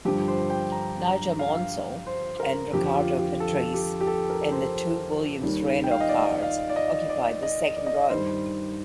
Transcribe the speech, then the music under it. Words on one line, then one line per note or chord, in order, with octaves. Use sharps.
Nigel Mansell and Riccardo Patrese, in the two Williams-Renault cars, occupied the second row.
G2 D3 F3 G4
C5
G5
A#5
A#5
F5
C5
A#4
F2 D3 F3 G4
F4
G4
A4
G4
G4
A4
A#4
C5
C5
D#2 D#3 G3
G5
F5
D#5
D5
F5
D5
D#5
D5
D#5
D5
D#5
D5
G2 D#3 G3 C5